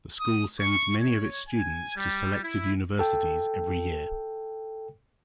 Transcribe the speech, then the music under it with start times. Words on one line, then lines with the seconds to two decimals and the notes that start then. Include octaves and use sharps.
The school sends many of its students to selective universities every year.
0.20 D#6
0.59 C#6
0.99 C#5
1.49 G#5
1.96 G3
2.44 E4
2.99 A4 G5